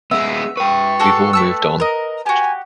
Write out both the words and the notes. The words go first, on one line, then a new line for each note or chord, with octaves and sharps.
We've all moved on.
G#3 B3 E5
B4 G5 C#6
F#4 G#4 A4
A3 A5 E6
A#4 D#5
F#4 G4 G#5